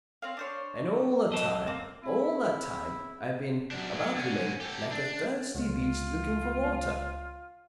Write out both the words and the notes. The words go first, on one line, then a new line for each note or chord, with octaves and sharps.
And all the time, all the time, I've been--about women--like a thirsty beast looking for water....
C4 C#5 F5
D4 C5 C#5
F#2 D#5 A5
A#3 C4
C4 E4 G#4 E5
F#2 D4
F#3
D3 C#4
G4 A4
D4
C#2 F4